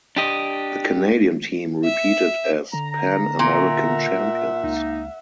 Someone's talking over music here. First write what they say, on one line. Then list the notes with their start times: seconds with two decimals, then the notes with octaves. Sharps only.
The Canadian team repeated as Pan American Champions.
0.16 D4 G4 D#5
1.84 E5
2.73 D3 A#5
3.39 A#2 E5 F#5
4.64 C#2 A#3 D#4